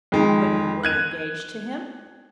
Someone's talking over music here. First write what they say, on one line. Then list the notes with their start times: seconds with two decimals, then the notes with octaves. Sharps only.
"But you were engaged to him?"
0.12 F2 D#3 G#3
0.83 F#6 G#6 D#7